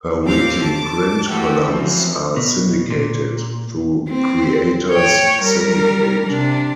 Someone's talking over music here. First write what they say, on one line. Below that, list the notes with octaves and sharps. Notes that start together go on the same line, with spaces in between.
Her weekly print columns are syndicated through Creators Syndicate.
D#2 C4 F5 D6
A5 D6
E3 A3 E4 F#4 G4 A4
F#2 E3 F3 C4
B2
A#2
C4
C#5 G5
G3 A#4
C3 D4